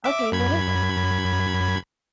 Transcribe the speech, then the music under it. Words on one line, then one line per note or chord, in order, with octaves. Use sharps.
Okay, what is it?
E5 D6
F#2 B5 G#6